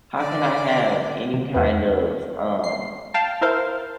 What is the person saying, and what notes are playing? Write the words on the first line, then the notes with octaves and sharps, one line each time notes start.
how can I have any kind of, um,
D3 D5
C3
E2 B3
C7
F5 G5 A5
E4 A#4 C5 F5